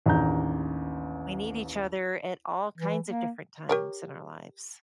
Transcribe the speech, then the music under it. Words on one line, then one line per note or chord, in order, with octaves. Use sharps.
We need each other at all kinds of different times in our lives.
A1 D#2 D4 G#4 A#5 G6
E3
A#3
G4 A#4 C#5